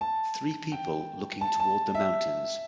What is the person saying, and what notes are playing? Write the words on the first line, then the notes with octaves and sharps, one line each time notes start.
Three people looking toward the mountains.
A5
G5
A5
A5
E5